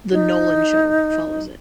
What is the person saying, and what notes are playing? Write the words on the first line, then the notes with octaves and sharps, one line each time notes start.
"The Nolan Show" follows it.
D#4